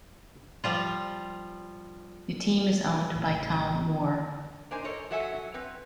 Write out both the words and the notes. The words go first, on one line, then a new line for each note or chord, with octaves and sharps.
The team is owned by Tom Moore.
F3 G3 F4
A1 C#3
A#3 D4 D#4 C5 G#5
A4 A#4 C#5 D#5
F#3 A4 E5 F#5 G#5
C4 B4